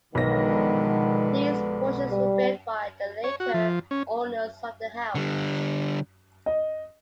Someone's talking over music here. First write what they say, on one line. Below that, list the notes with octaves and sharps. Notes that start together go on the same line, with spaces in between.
These portions were built by the later owners of the house.
B1 D3 D#3 F3 G#3 B3 B4 A#6
G3
C#5
F#4
F3
C#4
D3 G3
D#5